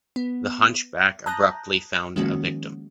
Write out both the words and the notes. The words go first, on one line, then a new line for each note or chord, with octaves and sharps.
The hunchback abruptly found a victim.
B3
A5 A#5 D#6 F#6 G6 A#6
D#3 F3 G#3 A#3 C#4 F#4